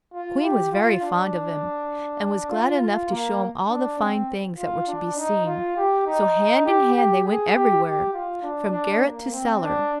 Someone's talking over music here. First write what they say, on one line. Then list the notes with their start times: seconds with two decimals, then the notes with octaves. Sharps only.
The queen was very fond of him, and was glad enough to show him all the fine things that were to be seen; so hand in hand they went everywhere, from garret to cellar.
0.13 F4
0.43 G4
0.72 F4
1.02 D4
2.50 F4
2.80 F4
3.10 A#3
3.69 D4
3.99 C4
4.58 F4
4.87 D4
5.17 D#4
5.46 F4
5.77 G4
6.06 D#4
6.65 G4
6.95 G4
7.25 G#4
7.54 G4
7.84 G4
8.13 F4
8.43 D4
8.72 D4
9.02 A#3
9.31 C4
9.62 D4